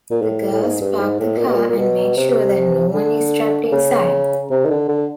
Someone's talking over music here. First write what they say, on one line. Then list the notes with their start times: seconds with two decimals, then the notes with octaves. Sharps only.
The girls park the car and make sure that no one is trapped inside.
0.11 A#2
0.22 A2
0.52 A2
0.61 G#2
0.81 G2
0.99 G#2
1.20 A2
1.38 A#2
1.47 B2
1.54 A#2
1.70 A#2
1.78 B2
2.17 C3
2.94 D3
3.72 C#3
4.51 C3
4.65 D#3
4.70 D3
4.88 D3